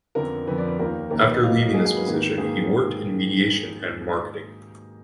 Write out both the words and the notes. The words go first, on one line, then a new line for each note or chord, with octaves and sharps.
After leaving this position, he worked in mediation and marketing.
F2 D3 F3 B3 A#4
F2 D3 F3 B3 B4
D5
B4
D#2 D#3 A#3 A#4
D#2 D#3 A#3 A#4
B4
D#5
G#2 F#3 A#3 F5
D#5
F#4
G#2 F#3 A#3 G#4
G#4
B4
G#2 D#3 A#3
G#2 D#3 A#3 G#4